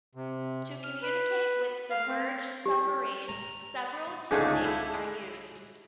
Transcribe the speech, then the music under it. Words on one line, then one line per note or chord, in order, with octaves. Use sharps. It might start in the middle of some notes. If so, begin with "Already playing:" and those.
To communicate with submerged submarines several techniques are used.
C3
F6
B4
F5
C4
G4
A#5
C#2 G#2 D3 A3 G#5
E4